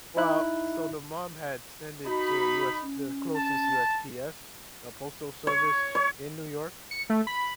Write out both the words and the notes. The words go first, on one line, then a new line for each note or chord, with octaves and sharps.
well, so the mom had send it to the US the closest USPS, the postal service in New York.
D#4 E4 E5 F#6
D#4 F#4 B5
C#4
A5
C#5
C#5
C#7
A3
B5